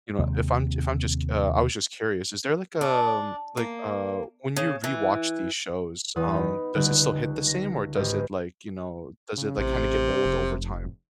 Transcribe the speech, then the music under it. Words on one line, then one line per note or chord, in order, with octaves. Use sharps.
you know, if I'm j if I'm just, uh, I was just curious, is there like, um, like, uh, when you rewatch these shows, um, does it still hit the same or does it like, you know, does it like kinda get old over time?
D#2 C3 G#3 C4
D4
A#3
C#3
E3
E2 B4 D#6
D#4 B5
C#2 D3 G3 D#4 F#6 D7
A#6
G#1 G4 B4 D#5
C#3
A1 C3
F1